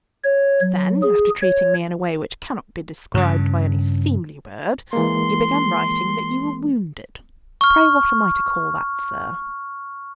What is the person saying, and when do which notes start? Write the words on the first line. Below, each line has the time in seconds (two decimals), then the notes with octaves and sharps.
Then after treating me in a way which cannot be described by any seemly word, you began writing that you were wounded. Pray, what am I to call that, sir?
0.24 C#5
0.61 F#3
1.03 G#4
1.42 C#5
3.14 G2 C#3
4.93 E3 G#3 A#3 C6
7.61 C#6 F6